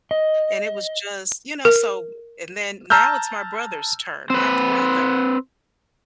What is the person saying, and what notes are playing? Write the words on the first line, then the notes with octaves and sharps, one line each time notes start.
and it was just, you know so, and then now it's my brother's turn. My brother
D#5
A#4
A5 A#5 E6 F6 G6
C4 B4